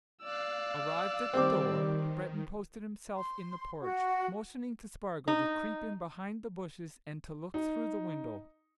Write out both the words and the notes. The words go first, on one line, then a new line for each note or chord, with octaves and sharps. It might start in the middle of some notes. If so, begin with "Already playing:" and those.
Arrived at the door, Breton posted himself in the porch, motioning to Spargo to creep in behind the bushes and to look through the window.
D5 F5 E6 F#6
D#3 G3 C4 G4 D6
C6
F#4
D#4
D#4